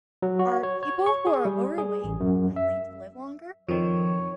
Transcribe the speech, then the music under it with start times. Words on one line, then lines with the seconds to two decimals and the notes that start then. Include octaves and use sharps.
Are people who are overweight likely to live longer?
0.22 F#3
0.39 F#4
0.63 C#5
0.83 C#5
1.06 C#6
1.27 G#4
1.45 G3
1.78 G#4
2.04 A1
2.20 F#2
2.56 E5
3.69 F2 D#3 F3 C#5